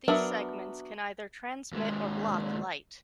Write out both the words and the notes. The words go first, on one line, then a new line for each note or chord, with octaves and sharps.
These segments can either transmit or block light.
F#3 B3 D4 A#4 E5
D#2 G#3